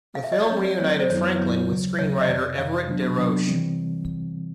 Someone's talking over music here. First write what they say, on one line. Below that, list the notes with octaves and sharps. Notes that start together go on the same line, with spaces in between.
The film reunited Franklin with screenwriter Everett De Roche.
F5
E5
D#5
D5
F#3 A3 C4 C#5
D5
F#3 A3 C4 C#5
D5
C5
F#2 D#3 F#3 B3 E4 C#5
B4
F#2 D#3 F#3 B3 E4 C#5
D#2 C#3 F#3
D#2 C#3 F#3 C#5
D#5
F2 C3 D#3 D5
F2 C3 D#3 F5
C3 D#3 F#3 B3 D4
C3 D#3 F#3 B3 D4
C3 E3 G3 C4